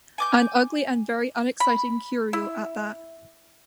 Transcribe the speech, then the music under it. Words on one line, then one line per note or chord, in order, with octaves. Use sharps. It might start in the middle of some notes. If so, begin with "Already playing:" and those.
An ugly and very unexciting curio at that!
G#5 D6 G6
B5
E4